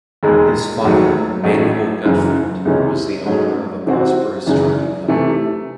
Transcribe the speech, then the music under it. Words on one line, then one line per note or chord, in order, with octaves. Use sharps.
His father, Manuel Gutfreund, was the owner of a prosperous trucking company.
E1 D#2 D#3 G#3
E1 D#2 D#3 F#3 A3
A1 G#2 F#3 A3
F#1 F#2 C#3 E3
C#2 C3 E3 G#3 C#4
G#2 F#3 A3 C#4
C3 E3 C4 F#4
G#1 F#2 C#3 E3
C3 E3 A3